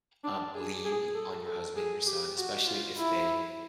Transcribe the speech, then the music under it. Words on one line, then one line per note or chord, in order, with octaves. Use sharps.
um, lean on your husband and your son, especially if they,
D4
G#4
G#4
A4
A4
G#4
G4
F#4
F4
E4